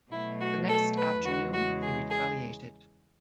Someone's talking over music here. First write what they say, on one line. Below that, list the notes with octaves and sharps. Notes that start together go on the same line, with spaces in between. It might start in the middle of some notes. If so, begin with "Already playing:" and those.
The next afternoon they retaliated.
B2 F#3 A3 E4
F#4
A4
B4
E2 C#3 G#3 F#4
F#4
G#4
G#4